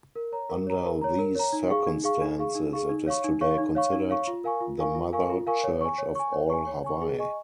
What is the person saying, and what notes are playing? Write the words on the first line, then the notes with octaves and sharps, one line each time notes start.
Under these circumstances it is today considered the mother church of all Hawaii.
A#4
C#5 A#5
A#4
C#5 A#5
A#4
C#5 A#5
A#4
C#5 A#5
D#4
G#4 F5 C#6
D#4
G#4 F5 C#6
D#4
G#4 F5 C#6
D#4
G#4 F5 C#6
D#4
C#5 F5 C#6
D#4
C#5 F5 C#6
D#4
C#5 F5 C#6
D#4
C#5 F5 C#6
F4
A#4 F5 G#5 C#6
F4
A#4 F5 G#5 C#6
F4
A#4 F5 G#5 C#6
F4
A#4 F5 G#5 C#6
C#5
G#5 C#6
C#5
G#5 C#6
C#5
G#5 C#6
C#5
G#5 C#6
G#4
D#5 G#5 C#6